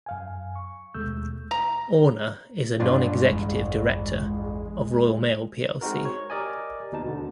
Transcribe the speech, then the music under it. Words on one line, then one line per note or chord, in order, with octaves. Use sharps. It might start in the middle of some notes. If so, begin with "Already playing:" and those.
Orna is a non-executive director of Royal Mail plc.
F#2 F5 G#5
C#6
D#2 B2 G#3 A3 E6 G6
A#5
G1 G#3 D4 F4 D5
A1 E2
G#3 C4 D#4 F#4 A#4
C#5
G4 A#4 D5 D#5 G#5
D#2 B2 D#4 A5
D2 D3